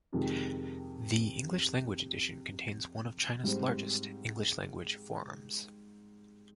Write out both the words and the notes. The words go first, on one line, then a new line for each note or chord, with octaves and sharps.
The English language edition contains one of China's largest English language forums.
F2 C3 D#3 G#3
G#2 G3 C4